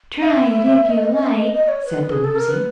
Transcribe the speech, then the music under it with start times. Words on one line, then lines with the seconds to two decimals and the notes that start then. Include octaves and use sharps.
"Try it, if you like," said the Woozy.
0.22 F5
0.25 E5
0.89 D#5
1.00 D#5
1.11 D#5
1.22 E5
1.37 D#5
1.53 D#5
1.68 C#5
1.85 B4
2.10 G#4
2.24 A4
2.36 A#4
2.49 B4